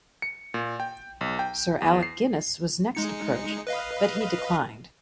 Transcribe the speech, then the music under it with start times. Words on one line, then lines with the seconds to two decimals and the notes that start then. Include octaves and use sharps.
Sir Alec Guinness was next approached but he declined.
0.22 C#7
0.54 A#2
0.80 G5
1.21 B1
1.39 G5
1.82 E2
2.03 C7
2.95 G#3 D#4 C#7
3.67 B4 D#5 F5